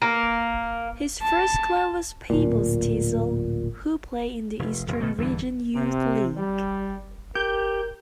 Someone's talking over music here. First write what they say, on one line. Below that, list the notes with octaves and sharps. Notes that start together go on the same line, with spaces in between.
His first club was Peebles Thistle, who play in the Eastern Region Youth League.
A#3
A5
D1 A#2
F1
E1
B2 D#3 A3
E2 G2 D3 E3
C3
G3
G4 A#4 G6